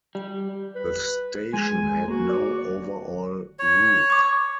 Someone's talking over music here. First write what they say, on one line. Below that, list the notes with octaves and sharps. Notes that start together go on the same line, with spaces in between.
The station had no overall roof.
G3
B4
G#3 G#5
A#3 F#4
C#5 D5
C#5
C#6 D6